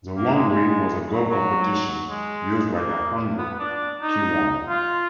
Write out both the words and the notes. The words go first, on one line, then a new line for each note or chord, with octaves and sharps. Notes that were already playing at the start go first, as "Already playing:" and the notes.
The Wangwi was a Go competition used by the Hanguk Kiwon.
A#3
G#3
G#3
F#3
F#3
G#3
A#3
B3
B3
D4
D#4
F4